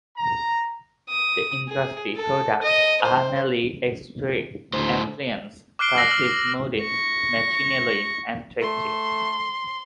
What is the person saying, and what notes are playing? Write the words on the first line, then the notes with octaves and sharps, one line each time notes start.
The industry products are mainly electric appliances, plastic moulding, machinery and textiles.
A#5
D#6
G#4
A4
D#5
C5
D2 A2 C5
D6 F6 F#6 C7 D7 G7
E6 A#6 C7 F#7
E6 F6 F#7
C#6 A#6
A3 C6